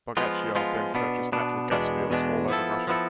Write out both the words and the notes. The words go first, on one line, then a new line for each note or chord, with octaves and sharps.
Bogachyov then purchased natural gas fields all over Russia.
F3 G#3 B3 F4
F3 G#3 B3 F4
B2 B3 D4
B2 B3 D4
E2 B2 G#3 B3 D4
E2 B2 G#3 B3 D4
F3 B3 E4 A4
F3 B3 E4 A4